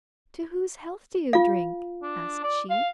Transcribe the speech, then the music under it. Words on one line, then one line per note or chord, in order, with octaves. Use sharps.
'To whose health do you drink?' asked she.
F4 F5
D4
D5
F5